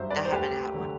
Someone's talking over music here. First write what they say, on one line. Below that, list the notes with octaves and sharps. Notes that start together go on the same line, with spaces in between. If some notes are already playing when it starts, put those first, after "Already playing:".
I haven't had one.
Already playing: G1 G2 F#3 C5 E5
B4 D5
C5
D2 G4 B4
D3 F#3